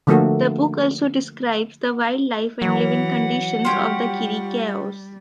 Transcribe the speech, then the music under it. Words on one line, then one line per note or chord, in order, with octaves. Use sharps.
The book also describes the wildlife and living conditions of the Chiricahuas.
D3 F3 A3 A#3 F#4 A4
E3 F#3 F#5
G3 F4 G4 C#5